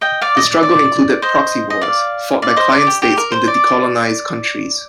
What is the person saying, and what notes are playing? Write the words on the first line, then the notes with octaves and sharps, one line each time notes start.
The struggle included proxy wars, fought by client states in the decolonised countries.
D#5 G5
D5 F5
D#5
D5
D5
C5 D#5
D#5
D5 F5
D5 F5
C5 D#5
D5
G4
G4
A#4
C5
D5